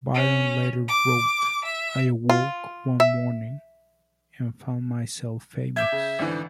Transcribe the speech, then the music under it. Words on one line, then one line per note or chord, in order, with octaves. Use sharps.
Byron later wrote, "I awoke one morning and found myself famous".
C#4
D6
E5
F4
E5
E5 D6 G6 G#6
C#3
G#1 D3 E3